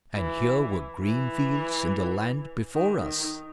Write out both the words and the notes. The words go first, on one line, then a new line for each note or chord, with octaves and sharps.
And here were green fields in the land before us.
E3
E3
D#3
D#3